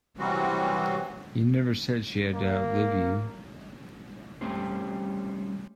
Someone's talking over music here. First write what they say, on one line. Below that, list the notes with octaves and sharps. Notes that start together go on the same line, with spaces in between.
You never said she had to outlive you.
C3 E3 F#3 G3 C4 F#4
A#3
G3 A3 C4 C#4 G4 C5